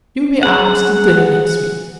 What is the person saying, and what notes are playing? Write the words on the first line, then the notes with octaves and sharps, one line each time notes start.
You'll be asked to dinner next week.
G#4 F#5